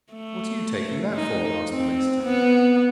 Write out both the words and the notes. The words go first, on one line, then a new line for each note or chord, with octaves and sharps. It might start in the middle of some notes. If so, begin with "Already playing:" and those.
'What are you taking that for?' asked the minister.
A3
D#4
C4
B3